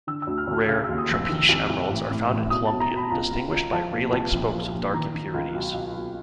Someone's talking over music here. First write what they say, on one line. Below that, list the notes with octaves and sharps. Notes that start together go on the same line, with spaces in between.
Rare "trapiche" emeralds are found in Colombia, distinguished by ray-like spokes of dark impurities.
D3 E6
E6
D2
F6
D2
F6
C#3 F6
E6
D#2
D#6
F1 E6
D#3
C2
C2
A1
A2
A1
B2 D#6
A5
B2
A#5
B2 B5
C#2 A#5
C#2
C#2
F3 A5
A#2
C2
A#1
F3
A#1
D#3 A#5
D#3
C#2
B1
B1
B1